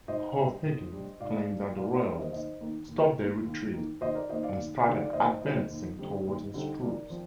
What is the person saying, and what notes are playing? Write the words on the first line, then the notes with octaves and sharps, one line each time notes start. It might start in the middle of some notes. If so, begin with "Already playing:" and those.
O'Higgins claimed that the royalists stopped their retreat and started advancing towards his troops.
G#2 C5 D#5
G3 D4
G#2
G3 D4
G#2 D5 F5
G3 D4
G#2 D5 F5
D5 F5
G3 D4 A#4 D5
C5 D#5
D#2 C5 D#5
D#3 A#3
D#2
D#3 A#3
D#2
D#3 A#3
D#2 C5 D#5
A#4 D5
D#3 A#3 C5 D#5
D5 F5
D#2
D3 G3 C4 D#4 D5 F5
D5
D#2 C5 D#5
D3 G3 C4 D#4 C5 D#5
D#2
D3 G3 C4 D#4
D#2
D3 G3 C4 D#4
G#2 A#4 D5
F3 C4